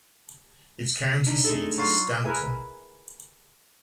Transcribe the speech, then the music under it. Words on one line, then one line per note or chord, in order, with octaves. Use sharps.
Its county seat is Stanton.
D4 D#4
G#3 A3 A4
F#3 F4
E4 G#4 A#4 B4 E5 G#5